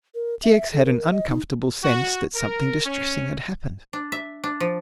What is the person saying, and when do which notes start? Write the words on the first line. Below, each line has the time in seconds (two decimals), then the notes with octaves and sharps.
T. X. had an uncomfortable sense that something distressing had happened.
0.15 A#4
0.43 E5
0.73 A4
0.85 A#4
1.11 D#5
1.29 D#4
1.84 F#4
2.35 A#4
2.84 C#4
3.93 D4
4.12 E5
4.44 D4
4.60 F3